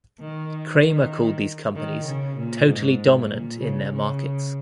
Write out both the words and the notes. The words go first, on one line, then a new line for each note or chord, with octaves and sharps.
Cramer called these companies "totally dominant in their markets".
D#3
D#3
D#3
C#3
A#2
G#2
A#2
C#3
C#3